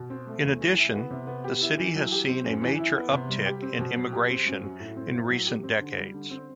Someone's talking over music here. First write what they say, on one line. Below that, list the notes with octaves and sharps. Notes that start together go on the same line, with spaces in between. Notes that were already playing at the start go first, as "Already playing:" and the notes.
In addition, the city has seen a major uptick in immigration in recent decades.
Already playing: B2
C4
A3
E2
E3
E4
B3
C3
B3
G4
E4
E3
F#3
G4
C4
F#2
E3
E4
B3
C3
G3
G4
C4
B2
F#3
G4
C4
F#2
F#3
A2
C4
A2
F#3
G4
C4
D3
G3
D3
C4